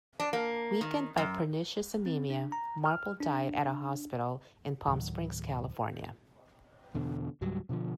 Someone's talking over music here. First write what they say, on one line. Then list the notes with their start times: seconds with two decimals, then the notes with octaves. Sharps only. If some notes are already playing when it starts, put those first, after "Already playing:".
Weakened by pernicious anaemia, Marble died at a hospital in Palm Springs, California.
0.20 D4
0.33 A#3
0.81 D#3
1.17 F#2
2.06 C4
2.30 D4
2.52 A#5
2.86 F6
3.20 D4
4.88 D2 A2 D#3 F#3
6.94 E2 B2 D3
7.41 C#2 G#2 F#3 G3
7.69 B2 D3 E3 F3